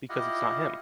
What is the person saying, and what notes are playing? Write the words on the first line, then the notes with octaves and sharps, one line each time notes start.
Because it's not him.
E4 F4 G4 D#5 F#5